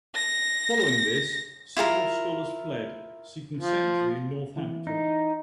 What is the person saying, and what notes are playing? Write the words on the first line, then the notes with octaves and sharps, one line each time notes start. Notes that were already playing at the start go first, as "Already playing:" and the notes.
Following this, several scholars fled seeking sanctuary in Northampton.
A#6
E4 F4 G#4 A#4
F3
E3
D#4